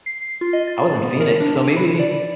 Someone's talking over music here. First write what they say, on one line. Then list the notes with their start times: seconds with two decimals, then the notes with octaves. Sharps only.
I was in Phoenix. So maybe
0.06 C7
0.41 F4
0.53 D#5
0.67 A6
1.03 B3
1.20 A#4
1.40 D4
1.77 B5
1.99 D5